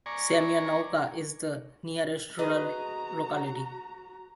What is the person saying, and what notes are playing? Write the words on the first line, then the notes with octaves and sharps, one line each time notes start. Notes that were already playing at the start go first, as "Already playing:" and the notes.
Semyonovka is the nearest rural locality.
D5 G#5 A#5 C#6
F#4 G#4 B4 D#5 A#5